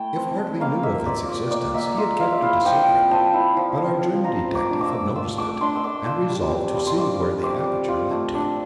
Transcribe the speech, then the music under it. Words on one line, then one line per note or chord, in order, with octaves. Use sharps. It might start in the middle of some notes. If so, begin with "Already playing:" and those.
If Hartly knew of its existence, he had kept it a secret, but our German detective had noticed it, and resolved to see where the aperture led to.
Already playing: A3 E4 G5 A5
C4
A3
A#3 F5
A#3 E5
F4 D5
F4 D5
A#3 D5
A#3 E5
F4 E5
F4 F5
E5
E4 F5
F3 G5
C4
F3 A5
E4
F3
C4
F3
F4 A#5
A3
D6
D4
D6 E6
A3
D6
F4 E6
A3 D6
D4 C6
E6
A3 D6
F4 E6
G3
C4
G3
C6
F4 D6
G3
C4 D6
G3
F4
A3
D4